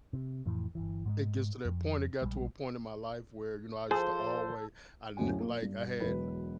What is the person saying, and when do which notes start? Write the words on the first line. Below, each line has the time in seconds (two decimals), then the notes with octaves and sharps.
It gets to that point, it got to a point in my life where, you know, I used to alway I n like, I had
0.13 C3
0.45 F2 A2 E3
0.75 G1 C2 E3
1.06 G#2 G3 G#3
1.65 F2
2.22 A#1 G3 G#3
3.91 F3 G#4 A4 C5
5.17 D1 F#2 G#5
5.40 A#3
5.62 G2
6.00 E1 F#3 B4